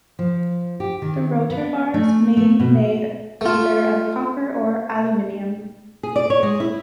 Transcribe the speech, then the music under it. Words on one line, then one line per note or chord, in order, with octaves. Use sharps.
The rotor bars may be made either of copper or aluminium.
F3
G4
D#3
B3
A3
A3
B2
A3 F4
G#4
D5
C#5
G#3
E4